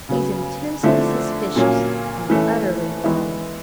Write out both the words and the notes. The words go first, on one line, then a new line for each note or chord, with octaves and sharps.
He's intensely suspicious and utterly lawless.'
C#3 F#3 B3
D3 F3 A3 C4 E4
A#2 F#3 A#3 C#4
E3 A3 C#4
E3 G#3 B3 E4